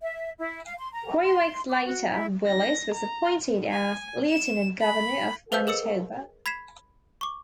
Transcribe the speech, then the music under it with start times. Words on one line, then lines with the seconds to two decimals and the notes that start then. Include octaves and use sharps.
Three weeks later, Willis was appointed as Lieutenant Governor of Manitoba.
0.01 E5
0.39 E4
0.66 F5
0.78 C6
0.93 A#5
1.24 C6
1.69 D6
1.85 F#4
2.09 E4
2.47 A#6
2.95 A#5
3.71 G#5
4.29 E7
4.81 B5
5.52 A4 B4 C5 F5 E6 G6
5.67 G#4 A#4 D#5 E6 C#7
6.46 B5 G#6 B6 C7 E7
7.21 C#6 D6